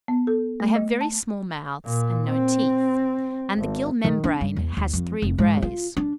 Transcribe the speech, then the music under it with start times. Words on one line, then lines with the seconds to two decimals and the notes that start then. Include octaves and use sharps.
They have very small mouths and no teeth, and the gill membrane has three rays.
0.08 B3
0.27 A4
0.60 A3
0.76 D#5
1.01 A5
1.85 A#2
2.27 C4
3.57 G#1
4.04 D#3
4.24 D4
4.41 G2
4.56 E2
4.77 D#2
4.93 F2
5.22 F1
5.38 G#2
5.62 F4
5.97 D4